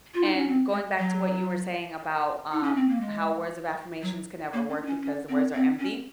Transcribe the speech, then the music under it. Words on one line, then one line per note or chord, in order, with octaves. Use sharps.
and going back to what you were saying about, um, how "Words of affirmations can never work because the words are empty,"
F4
D#4
C#4
C4
G#3
F#3
D#4
C#4
C4
A#3
G#3
F#3
A#3
C#4
D#4
C#4
C#4
C4
C4
C#4